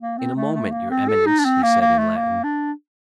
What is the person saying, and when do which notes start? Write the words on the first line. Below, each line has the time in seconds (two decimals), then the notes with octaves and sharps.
"In a moment, your Eminence," he said in Latin.
0.01 A#3
0.18 C4
0.36 A3
0.54 A3
0.72 A#3
0.91 C4
1.08 A4
1.26 D#4
1.39 D4
1.45 C4
1.63 A#3
1.81 A#3
1.99 A3
2.17 A#3
2.44 D4